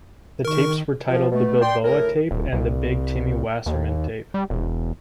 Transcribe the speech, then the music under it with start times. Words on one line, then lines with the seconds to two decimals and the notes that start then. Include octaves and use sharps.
The tapes were titled the "Bilboa" tape and the "Big Timmy Wasserman" tape.
0.45 D#3 A#4 C#6
1.08 F3
1.32 B2 A3
1.61 D5 G5 C6
1.83 A2 A#4
2.31 D#1
2.53 C2
3.66 D#2
4.34 G3
4.50 E1